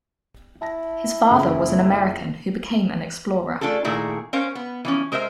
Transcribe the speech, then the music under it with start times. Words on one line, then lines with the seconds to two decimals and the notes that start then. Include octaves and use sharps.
His father was an American who became an explorer.
0.62 E4 A5 A#6
1.30 F#1 F2 C#3
3.61 A3 D4 F4 G#4 A4
3.84 A#2 D#3 A3 E4 G#4 A#4
4.33 C#4 A#4 C5 C#5 F5
4.55 B3
4.85 E3 F3 C#4
5.12 G#3 A#4 C5 D#5 E5